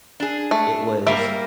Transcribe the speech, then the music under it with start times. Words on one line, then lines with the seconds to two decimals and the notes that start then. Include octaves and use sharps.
it was
0.20 D4 G#4
0.51 A3
1.07 G3 A#3 A#4 E5